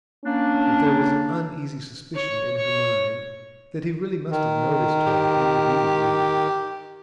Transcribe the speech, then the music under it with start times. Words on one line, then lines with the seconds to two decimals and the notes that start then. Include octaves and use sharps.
But there was an uneasy suspicion in her mind that he really must have noticed her in the Reading-room.
0.25 A#3 C#4 D4
2.15 C#5
2.57 C#5
4.31 D#3
5.06 G4